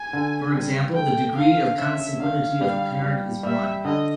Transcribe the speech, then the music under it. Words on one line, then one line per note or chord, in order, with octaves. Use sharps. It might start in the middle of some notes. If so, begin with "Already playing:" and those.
For example the degree of consanguinity of a parent is one.
Already playing: G#5
D3
G3
A3 G5
D3 F5
C#4 E5
D3 F5
G3
G3
G3 E5
D3 D#5